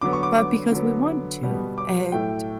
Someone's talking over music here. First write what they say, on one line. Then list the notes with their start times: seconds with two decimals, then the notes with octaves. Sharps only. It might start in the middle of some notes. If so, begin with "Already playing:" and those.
but because we want to, and
0.01 D3 F#3 B3 D6
0.13 C#6
0.23 D6
0.38 D6
0.72 D3 F#3 B3
1.43 B2 G3 B3
1.78 D6
2.12 A2 F#3 A3 G5